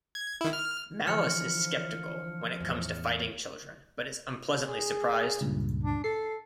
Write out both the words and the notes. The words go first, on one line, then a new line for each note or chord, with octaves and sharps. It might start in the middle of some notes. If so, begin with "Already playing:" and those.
Malice is skeptical when it comes to fighting children but is unpleasantly surprised.
G#6
D#3 E4
F6
D3 E3 F3 F6 C#7
E2 A2
G#4
C#2 G2 A#2
D4
A4 C7